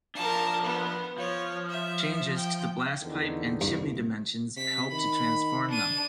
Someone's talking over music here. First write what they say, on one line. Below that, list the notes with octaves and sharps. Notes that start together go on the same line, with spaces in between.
Changes to the blastpipe and chimney dimensions helped to transform them.
F3 D4 A#4 A5
B3
F3 C#5
E5
G5
E2 D3 D#3
C2 G2
C3 B6
D#3 B5
D4 D#7